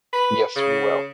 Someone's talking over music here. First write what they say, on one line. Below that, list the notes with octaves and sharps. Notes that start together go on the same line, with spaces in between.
Yes, we will.
B4
C#3